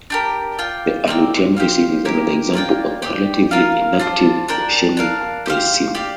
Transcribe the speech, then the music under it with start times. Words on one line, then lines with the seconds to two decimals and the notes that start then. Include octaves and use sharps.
The Aleutian Basin is another example of a relatively inactive oceanic basin.
0.10 D4 G4 A#4
0.59 F4 D5 G5
1.07 C4 A#4 D5 G5
1.57 G4 C5 F5
2.05 A#3 G4 A#4
2.53 A#3 F4 D5 G5
3.02 G4 D5 G5
3.51 F4 A#4 F5
3.99 D4 F4 C5
4.48 D4 A#4 G5
4.97 D4 A#4 F5
5.46 G4 C5 F5
5.95 G4 D5 F5